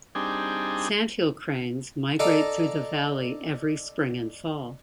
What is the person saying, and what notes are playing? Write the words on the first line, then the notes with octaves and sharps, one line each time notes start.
Sandhill cranes migrate through the valley every spring and fall.
G3 C4 D4 D#4 G#4
A4 D5 D#5 F5 A#5